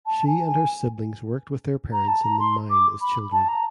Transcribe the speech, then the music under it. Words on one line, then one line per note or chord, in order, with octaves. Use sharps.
She and her siblings worked with their parents in the mine as children.
A5
G#5
G#5
A#5
A5
A#5
C6
D6
B5
A5
A#5